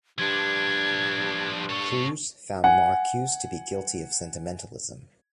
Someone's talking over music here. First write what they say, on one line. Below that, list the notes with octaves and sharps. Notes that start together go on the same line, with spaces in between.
Crews found Marcuse to be guilty of sentimentalism.
G2 F3 D4 G#6
A4 C#5
F#5 G#5